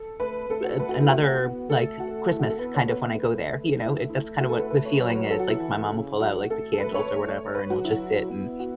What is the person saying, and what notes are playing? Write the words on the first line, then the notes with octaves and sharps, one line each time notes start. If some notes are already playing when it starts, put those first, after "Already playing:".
a another, like, Christmas kind of when I go there, you know? It that's kind of what the feeling is. Like, my mom will pull out like the candles or whatever and I'll just sit and
Already playing: A4
A3 B4
A3 A4
F#4
B4
F#4
E4
F#4
B3
A3 A4
F#4
A3 E4
F#4
A4
B3 B4
C#5
B4
A3
E4
E4
A3 F#4
A4
B4
B4
C#5
F#3 C#5
B4
A4
F#4
E4
E3
C#3
F#3 F#4
A3 A4
A4
A3 B4
C#5
A3
B4
F#3 F#4
E4
B3
F#4